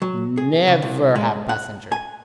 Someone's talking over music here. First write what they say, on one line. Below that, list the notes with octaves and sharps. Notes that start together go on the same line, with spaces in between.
Never have passengers.
F#3
G#4
C#3
C2
G#3
F#5
G#5